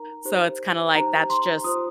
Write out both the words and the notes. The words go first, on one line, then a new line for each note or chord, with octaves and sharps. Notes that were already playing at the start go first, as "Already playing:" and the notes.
so it's kinda like that's just
Already playing: D#4 A#4 A#5
D#4 G4 C5
D#4 G4 C5 A#5
C6
F4 C5 D#6